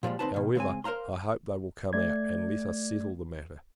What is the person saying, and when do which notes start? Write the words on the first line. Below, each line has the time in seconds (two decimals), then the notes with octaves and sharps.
However, I hope they will come out, and let us settle the matter.
0.03 A#2 F3 G3 G#3
0.19 D2 C4 D#4 B4 C5 A5
0.34 B2 D#3
0.55 C#3 G#3 C4 G#5
0.84 A#4 C5 F5 A#5 C6
1.93 A3 D5 G#6